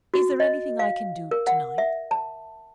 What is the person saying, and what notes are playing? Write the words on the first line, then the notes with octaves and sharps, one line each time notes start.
"Is there anything I can do to-night?"
F#4
D#5
F5
A#4
F#5
E5
A5